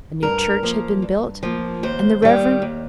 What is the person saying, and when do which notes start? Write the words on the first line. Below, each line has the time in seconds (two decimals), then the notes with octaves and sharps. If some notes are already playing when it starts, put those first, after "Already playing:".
A new church had been built, and the Rev.
0.23 G2 A#4
0.63 F3 A#3
1.02 G2
1.43 F3 A#3
1.83 D#2 C5
2.22 D#3 G3
2.62 D#2